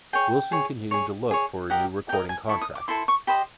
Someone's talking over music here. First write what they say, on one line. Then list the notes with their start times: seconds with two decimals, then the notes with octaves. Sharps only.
Willson continued to look for a new recording contract.
0.13 G#4 C#5 G5
0.52 G#4 C#5
0.91 G#4 C#5
1.31 G#4 C#5
1.70 G4 A#4 D#5 F#5
2.09 G4 G5
2.12 A#4 D#5
2.29 G#5
2.49 E4 A4 C#6
2.62 D#6
2.75 D6
2.88 E4 A4 C5 C6
3.08 C#6
3.27 G4 C5 D#5 B5